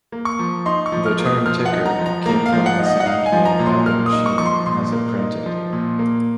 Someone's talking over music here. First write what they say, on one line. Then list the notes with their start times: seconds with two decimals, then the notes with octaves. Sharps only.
The term "ticker" came from the sound made by the machine as it printed.
0.12 A#3
0.25 C#6
0.39 F3
0.66 D#4 C6
0.86 C#6
0.92 F3
1.06 F6
1.19 A#3
1.26 D#6
1.46 F3 F6
1.66 F#5
1.72 D#4
1.86 A#5
1.99 F3
2.06 A#5
2.26 A#3 A#5
2.46 F5
2.52 F3
2.66 F#5
2.79 D#4
2.86 D#5
3.00 F#5
3.06 D#4 F5
3.26 G#5
3.32 F3
3.45 A#5
3.59 A#2
3.66 C6
3.86 A#3 F6
4.06 D#6
4.13 D#4
4.26 C#6
4.38 F3 C#6
4.46 C6
4.66 A#2 C6
4.93 A#3
5.19 D#4
5.46 F3
5.73 A#2
5.99 A#3